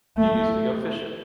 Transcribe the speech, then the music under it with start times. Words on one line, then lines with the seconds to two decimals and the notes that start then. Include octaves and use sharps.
You used to go fishing.
0.17 A3